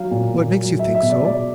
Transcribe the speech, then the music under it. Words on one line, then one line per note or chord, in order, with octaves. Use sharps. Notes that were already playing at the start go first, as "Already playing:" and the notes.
"What makes you think so?"
Already playing: F#3 F5
A#2
A#2
F#3
F#3 E5
E5
B2
D5
B2 D5